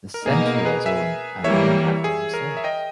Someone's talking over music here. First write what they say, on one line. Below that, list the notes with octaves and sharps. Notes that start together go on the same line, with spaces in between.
The Center is owned and named after himself.
A#4
B2 A#3 D#4 G#4
A#4
G#4 B4
E5 G#5
E3 G3 A#3 C#5 E5
G#4
A#4
E5
D#5 G5